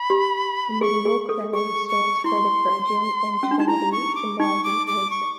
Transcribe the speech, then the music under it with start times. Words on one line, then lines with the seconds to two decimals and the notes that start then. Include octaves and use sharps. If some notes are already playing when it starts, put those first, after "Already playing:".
The medieval crown stands for the Virgin and Trinity, symbolizing wisdom.
Already playing: B5
0.10 G4
0.81 G#4 C#6
1.05 G#4
1.29 A4
1.53 G#4 C#6
1.89 C#6
2.24 E4 C6
3.43 C#4
3.51 D4
3.58 D#4 A5
3.68 E4 A#5
3.92 C#6
4.15 D6
4.39 D#4 C#6
4.64 D6
4.87 D6
5.11 C#6